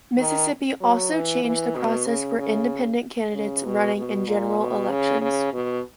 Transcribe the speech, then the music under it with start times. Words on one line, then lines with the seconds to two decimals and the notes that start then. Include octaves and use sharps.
Mississippi also changed the process for independent candidates running in general elections.
0.18 D#3
0.81 F#3
1.12 E3
1.44 E3
1.76 B2
2.06 C#3
2.38 C#3
3.33 C#3
3.64 B2
3.95 B2
4.27 A#2
4.58 B2
4.89 C#3
5.21 C#3
5.53 B2